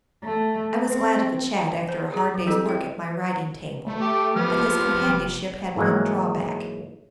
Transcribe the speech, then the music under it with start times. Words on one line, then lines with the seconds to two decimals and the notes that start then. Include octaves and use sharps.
I was glad of a chat after a hard day's work at my writing-table, but his companionship had one drawback.
0.23 A3
0.76 C4
1.89 C5
2.14 G#4 A#5
2.34 F#3
2.47 G3 C4 E4 G4 A4
2.66 E5 G5
3.87 A3
4.01 G4 G5
4.36 F3 B3 G4 F6
5.09 F1
5.76 G#2 E3 F#3 G#3 A#3